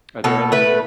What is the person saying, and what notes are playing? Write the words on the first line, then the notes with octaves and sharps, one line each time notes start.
Are there any
B2 A4
A3 B4